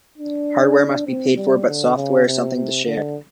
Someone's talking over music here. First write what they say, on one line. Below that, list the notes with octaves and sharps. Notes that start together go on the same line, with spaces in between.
Hardware must be paid for, but software is something to share.
D4
C4
G3
D3
C#3
C3
C3
D3